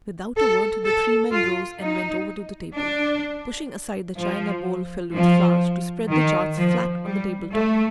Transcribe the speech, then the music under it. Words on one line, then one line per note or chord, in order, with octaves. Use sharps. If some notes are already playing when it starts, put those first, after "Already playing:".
Without a word the three men rose and went over to the table, pushing aside the china bowl filled with flowers to spread the charts flat on the table top.
A4
A4
F4
D#4
D4
F3
F3
D#3
F3
G3
A3